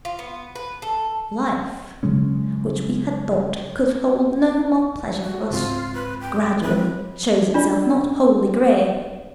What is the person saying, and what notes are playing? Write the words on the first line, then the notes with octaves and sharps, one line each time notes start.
Life, which we had thought could hold no more pleasure for us, gradually shows itself not wholly grey.'
F4
B3
B4
A4
C#3 F#3 G#3 C#4
F#4
C#2 G#2 C4 F4
B4
G5
E3 G#3 C4 B4
D4 F4 D5